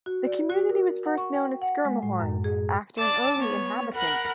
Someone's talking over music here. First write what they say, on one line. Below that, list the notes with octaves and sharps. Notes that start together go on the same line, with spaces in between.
The community was first known as "Schermerhorn's" after an early inhabitant.
F#4
D5
F#4
A#4
F#5
C#6
G5
F#5
G#3
A2
F#2
G#4
D5 A5 D6 E6
B3 C#5
A#4 F#5 B5 F#6